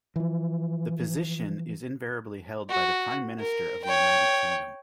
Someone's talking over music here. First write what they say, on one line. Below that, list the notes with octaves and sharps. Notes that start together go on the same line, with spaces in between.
The position is invariably held by the Prime Minister of the United Kingdom.
E3 F3
F#4
A#4
C#5 G5